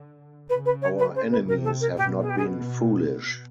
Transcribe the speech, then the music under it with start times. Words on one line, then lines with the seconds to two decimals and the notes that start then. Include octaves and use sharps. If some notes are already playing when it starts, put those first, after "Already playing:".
Our enemies have not been foolish!
Already playing: D3
0.49 C#3 B4
0.65 B4
0.82 C#5
0.98 B4
1.15 C5
1.31 B4
1.47 C3 A#4
1.64 A4
1.80 A#4
1.97 B2 G4
2.21 G#4
2.29 G4
2.37 G#4